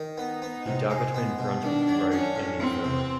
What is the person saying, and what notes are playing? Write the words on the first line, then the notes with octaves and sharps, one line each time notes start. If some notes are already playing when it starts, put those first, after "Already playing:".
He died between Brunswick Road and the Infirmary.
Already playing: D#3
B3 D#4
B3
C3
G#3
B3
B2
D#3 D4
F#3
C#4 D4
A2
E2 C4
C3